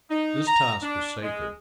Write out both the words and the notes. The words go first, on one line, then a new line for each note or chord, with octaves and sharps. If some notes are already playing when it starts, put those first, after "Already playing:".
This task was sacred.
D#4
A#5
D4
G#3